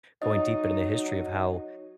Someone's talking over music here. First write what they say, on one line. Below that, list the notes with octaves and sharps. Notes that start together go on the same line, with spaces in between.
going deep into the history of how,
F#3 D#4 D#5